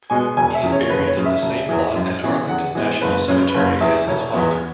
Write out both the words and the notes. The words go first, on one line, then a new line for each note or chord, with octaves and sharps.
He is buried in the same plot at Arlington National Cemetery as his father.
B2 G#3 B3 G#5
E1 G#5
E5
E2 C#3
C#5
C#5
F#1 B4
C#5
F#2 C#3
E5
E1
E2 E3
F#2
C#3 E3 B3
E2 F#5
E3 G#3 B3
F#1 B4
F#2 C#3 C#5
B4
F#1 C#5
E2 E3 E5
E1 C#5
E2 E3 B3